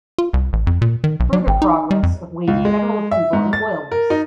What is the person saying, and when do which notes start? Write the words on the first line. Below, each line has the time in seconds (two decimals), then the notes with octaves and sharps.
Further progress awaited federal approval of an oil lease.
0.18 F4
0.33 C2
0.53 A1
0.67 F2
0.82 A#2
1.04 D#3
1.20 B1
1.33 F#3
1.47 G#1
1.62 D#4
1.91 G3
2.03 F2
2.48 C#2
2.65 G#3
3.11 E5
3.33 G#2
3.53 A6
3.92 A#4
4.10 D#4